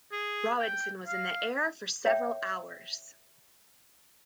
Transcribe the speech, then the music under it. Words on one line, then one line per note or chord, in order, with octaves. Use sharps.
Robinson was in the air for several hours.
G#4
G5
F5
C#5 E5 G5